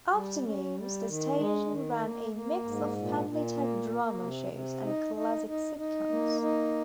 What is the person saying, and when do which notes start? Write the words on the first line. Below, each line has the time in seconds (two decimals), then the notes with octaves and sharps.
Afternoons the station ran a mix of family type drama shows and classic sitcoms.
0.13 G3
0.45 C#4
0.77 G3
1.07 D#3
1.39 G#3
1.70 D#3
2.02 A#3
2.33 A#3
2.65 G#2
2.96 A#2
3.27 A#2
3.58 A#3
3.90 A#3
4.21 C3
4.52 C3
4.84 D#4
5.15 D#4
5.47 D#4
5.77 D#4
6.09 A#3
6.41 D#4